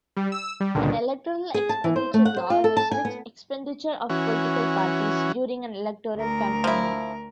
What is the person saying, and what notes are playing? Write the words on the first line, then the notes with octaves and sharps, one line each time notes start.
An 'electoral expenditure' law restricts expenditure of political parties during an electoral campaign.
G3
E6
G3
C#2 G2 A#2 D3 D#3
G#4
A5
E3
C5
A3
F#5
C5
F4
A4
A5
G#5
B3
E3 C#4 F#4
D2 A#4
F3 E4